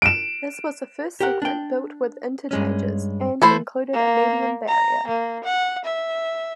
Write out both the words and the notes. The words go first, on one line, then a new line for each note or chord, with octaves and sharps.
This was the first segment built with interchanges, and included a median barrier.
D7 E7
G4 A#4 F#5
D4 G5
G2 G#3 C#4
E3 A3 E4 C5
A#3
A#5
A#3
F#5
E5